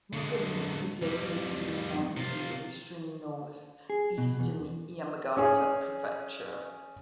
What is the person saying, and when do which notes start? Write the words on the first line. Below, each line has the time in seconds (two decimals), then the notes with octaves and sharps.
Mogami is located in the mountains of extreme north eastern Yamagata Prefecture.
0.13 D3 G#3
1.02 F2 G3
2.17 C3 F4
3.90 G#4
4.18 B2
4.40 E2
5.37 C#4 G#4